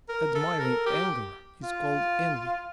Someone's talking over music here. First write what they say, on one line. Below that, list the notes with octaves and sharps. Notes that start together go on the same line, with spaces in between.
Admiring anger is called envy.
A#4
A4
A#4
G4
F4